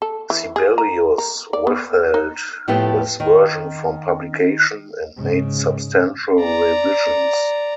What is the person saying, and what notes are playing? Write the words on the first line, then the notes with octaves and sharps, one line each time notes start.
Sibelius withheld this version from publication and made substantial revisions.
A4
E3
G#4
A#5
A#4
D5
B3
D#4
A2 F3 A3 B3 E4 G4
D#3
G#2 C#3
D5 A#5